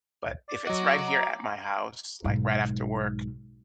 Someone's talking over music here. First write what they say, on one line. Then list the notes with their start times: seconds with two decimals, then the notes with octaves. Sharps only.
but if it's right here at my house, like, right after work,
0.48 D5
0.67 F#3 F#4 D#5 D6
1.07 A#5
2.24 B1 G#2